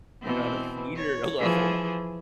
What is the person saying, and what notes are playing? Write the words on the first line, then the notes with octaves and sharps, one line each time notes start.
you're not a theater level.
B2 E3 C4
C#5
E3 F3 G#4